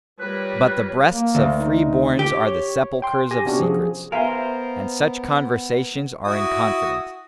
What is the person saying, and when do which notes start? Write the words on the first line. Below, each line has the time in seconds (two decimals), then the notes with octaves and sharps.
But the breasts of free-borns are the sepulchres of secrets' and such conversations are in confidence.
0.20 G3 F4 A#4 B4 C#5
1.11 A#3
1.35 D2
1.59 D#4
2.19 G4
2.35 C#5
3.02 G5 C6
3.31 G4 G#5 A#6
3.45 C3 B3 C#4 D4 F#4 G4
3.59 F3 G#4
4.12 B3 A#4 C5 E5 F5 G#5
6.25 E4 F#4 D#6